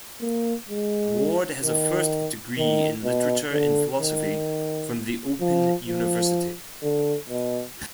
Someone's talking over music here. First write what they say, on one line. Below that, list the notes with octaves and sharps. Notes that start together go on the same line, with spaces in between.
Ward has a first degree in Literature and Philosophy from the Open University.
A#3
G#3
D#3
D#3
B2
D3
D#3
F3
F3
D3
B2